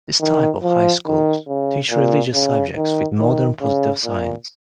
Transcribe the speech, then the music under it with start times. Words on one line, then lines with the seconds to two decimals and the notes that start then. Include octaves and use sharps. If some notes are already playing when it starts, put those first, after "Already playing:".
This type of high schools teach religious subjects with modern positive science.
0.20 D#3
0.63 F3
1.07 D#3
1.48 C#3
1.91 A#2
2.34 C#3
2.76 D#3
3.19 D#3
3.61 C#3
4.04 A#2